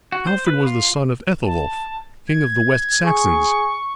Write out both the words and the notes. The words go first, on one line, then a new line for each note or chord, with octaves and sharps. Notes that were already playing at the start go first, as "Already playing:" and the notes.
Alfred was the son of Ethelwulf, king of the West Saxons.
F#4
C5
B4
F4
A5
G#6
G#4 C#6